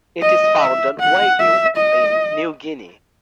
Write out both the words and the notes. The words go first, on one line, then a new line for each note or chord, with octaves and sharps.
It is found on Waigeo in New Guinea.
D#5
E5
F#5
E5
D#5